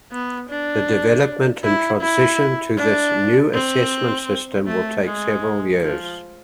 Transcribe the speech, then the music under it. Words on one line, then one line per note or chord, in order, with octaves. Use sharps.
The development and transition to this new assessment system will take several years.
B3
D4
E4
E4
D4
C4
A3
G#3
F3